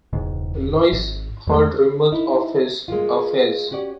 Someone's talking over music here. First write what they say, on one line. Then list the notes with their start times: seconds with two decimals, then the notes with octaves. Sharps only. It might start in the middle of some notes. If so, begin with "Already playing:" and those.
Louise heard rumors of his affairs.
0.13 E1 C#2 G#2
0.92 G#1
1.47 E2 G#3 A3
2.12 D#4 E4
2.88 G#3 A#3 F4
3.71 C#4 F#4 G4 D5